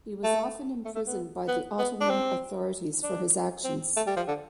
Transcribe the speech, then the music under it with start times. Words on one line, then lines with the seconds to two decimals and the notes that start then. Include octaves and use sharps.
He was often imprisoned by the Ottoman authorities for his actions.
0.24 A3
0.85 A3
0.95 A3
1.07 B3
1.48 B3
1.79 B3
2.01 D4
2.10 C4
3.03 D4
3.64 C4
3.97 A3
4.07 G3
4.17 F3
4.28 D3